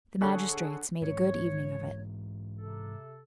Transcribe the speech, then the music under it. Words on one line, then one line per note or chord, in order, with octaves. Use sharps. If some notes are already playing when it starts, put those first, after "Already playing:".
The magistrates made a good evening of it.
D3 G#4 A4 C#5 C#6 F#6
G#2 E3 C#5
C3 A4